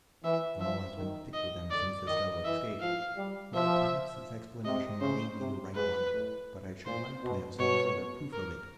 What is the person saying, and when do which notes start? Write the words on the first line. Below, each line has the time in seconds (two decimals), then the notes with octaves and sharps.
"The moor has been thick with them since this fellow escaped." Well, perhaps his explanation may be the right one, but I should like to have some further proof of it.
0.24 E3 E5
0.60 F3 E5
0.97 D#3
1.33 D#5
1.70 D3 D5
2.07 D#3 D#5
2.44 E3 E5
2.81 F3 F5
3.17 G3
3.54 F3 E5
4.65 C3 D#5
5.01 C#3 C5
5.39 C3
5.75 G#2 B4
6.11 A2
6.85 A#2 C5
7.22 B2
7.59 B2 C#5
8.33 A#4